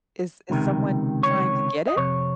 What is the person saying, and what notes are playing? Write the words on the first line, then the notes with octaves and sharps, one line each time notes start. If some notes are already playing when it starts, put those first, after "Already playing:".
Is is someone trying to get it?
C#2 C3 D#3
C#5
D#5
F2 C3 C#5